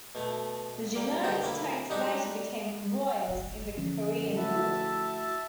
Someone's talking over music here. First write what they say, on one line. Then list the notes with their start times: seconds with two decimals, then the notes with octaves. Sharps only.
The United States later became embroiled in the Korean War.
0.15 B2 A3
0.95 G3 A#3
1.23 G2 D3 D#3 G#4 C5 G5
1.41 D2 A#3 E4
1.90 G3 G#3 D4 D#4 F#4 G4
3.28 D1 G1
3.77 D3 F3 C#4
4.11 F#2
4.36 A3 E4 F#4 E5 A5